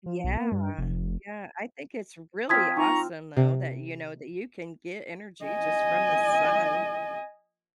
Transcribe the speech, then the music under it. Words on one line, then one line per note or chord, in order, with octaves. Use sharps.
Yeah, yeah, I think it's really awesome though that, you know, that you can get energy just from the sun.
F3
B1
A#3
G2
F1
F3 C4 F5 D#6 G#6 B6
D#4 A#5 C#6
C3
D#5 G#5